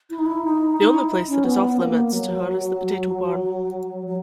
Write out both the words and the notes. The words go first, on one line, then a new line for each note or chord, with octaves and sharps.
The only place that is off-limits to her is the potato barn.
E4
D#4
E4
D#4
D#4
E4
C#4
B3
A#3
F#3
F#3